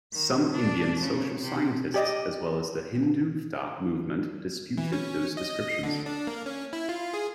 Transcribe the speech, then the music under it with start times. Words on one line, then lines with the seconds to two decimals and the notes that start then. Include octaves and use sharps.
Some Indian social scientists, as well as the Hindutva movement, dispute those descriptions.
0.13 D#3
0.52 D4
1.00 C#3
1.40 C3
1.94 G4 D5 D#5
4.78 E3
4.93 C#4
5.37 D#5
5.83 D3
6.06 D4
6.27 A#3
6.46 C#4
6.73 E4
6.89 F4
7.14 G#4